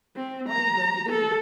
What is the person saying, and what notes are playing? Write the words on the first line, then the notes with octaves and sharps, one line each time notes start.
"What are you going to do?"
C4
A#5
A4